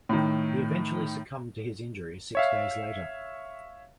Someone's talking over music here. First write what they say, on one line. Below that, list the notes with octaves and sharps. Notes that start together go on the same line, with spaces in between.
He eventually succumbed to his injuries six days later.
A2 D#3
C#5 E5 F5